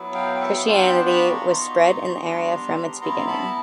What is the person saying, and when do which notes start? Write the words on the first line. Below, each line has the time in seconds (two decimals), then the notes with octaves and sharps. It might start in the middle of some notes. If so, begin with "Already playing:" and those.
Christianity was spread in the area from its beginning.
Already playing: F#3 B3 E4
0.14 F5 G5
0.36 G5
0.40 E5 F#5
0.67 B3 D4 F4 F5 G5
0.86 G5 A5
1.06 B5 C#6
1.25 A#5 C6
1.44 B3 D#4 F#4
2.22 G3 B3 D4
3.01 B3 E4 A#5 C6
3.27 A5 B5